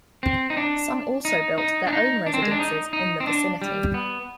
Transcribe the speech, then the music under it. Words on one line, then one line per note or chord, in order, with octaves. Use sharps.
Some also built their own residences in the vicinity.
C4
D#4
D4
D#4
D#4
D4
D#4
D4
C4
G#3
D4
D#4
D#4
C4
D4
G3
B3